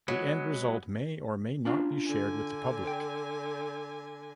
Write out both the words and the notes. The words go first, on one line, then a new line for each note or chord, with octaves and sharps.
The end result may or may not be shared with the public.
F#3 G#3 B3
C#4 D4 F4
D3 G#5
G5